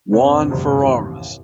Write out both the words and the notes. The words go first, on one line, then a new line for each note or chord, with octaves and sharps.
Juan Ferreras.
E2 G2 C3 C4 B4 C#5
F1 D2
A1 D#2